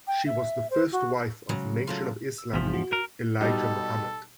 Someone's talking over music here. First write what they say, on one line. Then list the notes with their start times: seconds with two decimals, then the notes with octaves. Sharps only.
She was the first wife of Nation of Islam leader Elijah Muhammad.
0.07 G5
0.26 E5
0.70 C5
0.92 F#4
1.49 C#3 F#3 G#3
1.87 F#3 A3 F4
2.38 E6
2.53 A1 E2 C3 F3 B6
2.73 F#4
2.93 A#4
3.41 B2 G3 D#4 A4